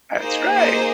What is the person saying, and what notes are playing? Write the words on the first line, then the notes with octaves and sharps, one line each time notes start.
That's right.
A#3 D#4 G#4 C5
C5